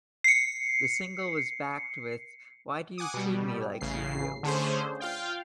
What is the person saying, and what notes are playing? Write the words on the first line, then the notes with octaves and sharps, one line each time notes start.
The single was backed with Why Do You Treat Me Like You Do?
C7 C#7
F#5 G#5 D6 D#6
B2 G3
A1 C#3 C7
D3 A3 C#4 G#4 C5
F4 F5 G5